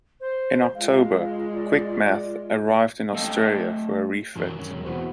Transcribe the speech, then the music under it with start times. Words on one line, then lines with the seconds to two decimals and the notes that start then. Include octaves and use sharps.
In October, "Quickmatch" arrived in Australia for a refit.
0.21 C5
0.75 G#3 F4 F5
1.54 D5
3.13 A3 A4 D#5 F5 G5
4.36 F#2 D#3 E3 F#3
4.56 G2 F#3 C#4
4.71 E1
4.84 E2 C3 B3 E4 F#4 C5